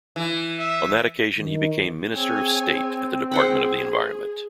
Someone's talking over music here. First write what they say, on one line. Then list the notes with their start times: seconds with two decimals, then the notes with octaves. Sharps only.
On that occasion he became Minister of State at the Department of the Environment.
0.16 E3
0.59 E5
1.36 D#3
2.11 C4 G#4 C#5 G#5
3.31 G#4 C5 F#5 B5